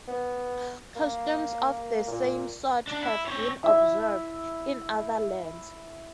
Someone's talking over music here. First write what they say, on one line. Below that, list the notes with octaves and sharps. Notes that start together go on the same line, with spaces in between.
Customs of the same sort have been observed in other lands.
B3
A#3
A#2
D4
E4
C4 C#5
E4 E5